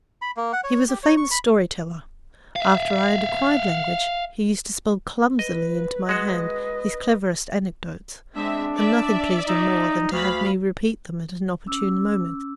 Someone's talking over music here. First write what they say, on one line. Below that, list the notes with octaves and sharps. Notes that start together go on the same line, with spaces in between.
He was a famous story-teller; after I had acquired language he used to spell clumsily into my hand his cleverest anecdotes, and nothing pleased him more than to have me repeat them at an opportune moment.
B5
A#3
F#5
C#5
G4
C#5
C#6
B5
E5 F5
B4 D#5
G#3 F#4 B4 D#5
G#3 C4 D4 E5
D5 E5
D#4
D2 F5 B5
C#4 D6 E6